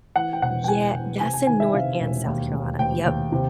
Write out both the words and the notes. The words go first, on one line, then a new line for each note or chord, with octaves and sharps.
yeah that's in North and South Carolina. Yep,
E3 F#5
G5
E1 F#5
G5
E3 G#5
E2
C3 G#5
G#5
D#3 G#5
E5
C3 F5
E1
D#2
D#2
D#2 G5
D#2
C3